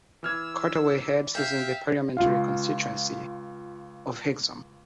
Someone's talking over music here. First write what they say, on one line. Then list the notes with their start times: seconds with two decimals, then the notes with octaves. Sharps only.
Carterway Heads is in the parliamentary constituency of Hexham.
0.23 E3 E6 F6 G#6
1.35 E5 F5 G5
2.17 C#2 F4 F5